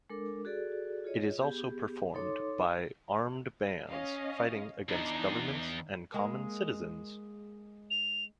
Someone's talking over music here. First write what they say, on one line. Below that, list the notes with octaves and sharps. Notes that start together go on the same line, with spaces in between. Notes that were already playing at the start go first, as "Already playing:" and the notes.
It is also performed by armed bands fighting against governments and common citizens.
G#3 D4 A4 A#4 D6
F#4 G#4 A4 D5
F4 G#4 C#5 D#5
B3 G4 G#4
D#4 A4 C#5 C6 D6
C#4 D#5 F5
E2 D4 D#4 C7
G#3 A#3
F7